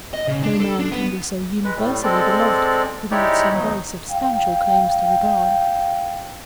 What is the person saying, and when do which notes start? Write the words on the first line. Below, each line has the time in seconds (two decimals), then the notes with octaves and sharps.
No man can be so universally beloved without some very substantial claims to regard.
0.14 D#5
0.28 C#3
0.43 D4
0.60 A4
0.79 D4
0.92 B3
1.64 G#3 B4
1.76 A2 G3
2.03 G#3 C4 A4 D5
3.11 G#3 D#4 E4 G4 C#5 D5
3.53 D#2 B2 F#3 D#4
4.10 F5 G5